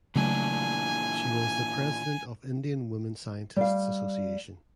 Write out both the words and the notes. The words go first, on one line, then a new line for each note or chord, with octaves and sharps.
She was the president of Indian Women Scientists’ Association.
A#2 C#3 E3 F#3 A3 D4 G#5
G3 F5